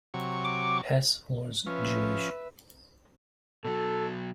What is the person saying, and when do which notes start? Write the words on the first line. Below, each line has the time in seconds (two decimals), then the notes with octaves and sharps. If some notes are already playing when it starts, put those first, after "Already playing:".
Hess was Jewish.
0.14 C3 F#3 C#6
0.44 D6
1.67 F3 C#4 B4 E5
3.65 B2 F#3 A4